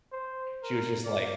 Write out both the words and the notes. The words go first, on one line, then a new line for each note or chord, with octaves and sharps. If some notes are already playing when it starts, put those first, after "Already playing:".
She was just, like
C5
A#4
D5